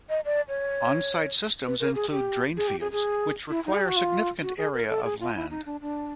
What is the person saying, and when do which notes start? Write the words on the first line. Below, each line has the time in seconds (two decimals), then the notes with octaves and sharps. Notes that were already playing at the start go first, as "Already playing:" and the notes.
On-site systems include drain fields, which require significant area of land.
0.10 D#5
0.25 D5
0.48 C#5
1.64 B4
1.80 A#4
1.95 G#4
2.10 G4
2.57 G#4
2.68 G4
2.80 G#4
2.92 G#4
3.49 E4
3.66 D#4
3.74 G#4
3.81 G4
3.88 F#4
3.96 F4
4.42 F#4
4.58 G#4
4.74 A#4
4.89 A4
5.04 G#4
5.20 F4
5.35 E4
5.50 D#4
5.66 D4
5.81 D4